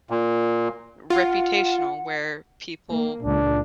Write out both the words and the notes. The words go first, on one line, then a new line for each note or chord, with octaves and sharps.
reputational where people
A#2
F4 F#5
A#3
C#2 A#2 D4